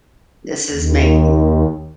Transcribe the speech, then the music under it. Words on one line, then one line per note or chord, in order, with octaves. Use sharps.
this is making
D#2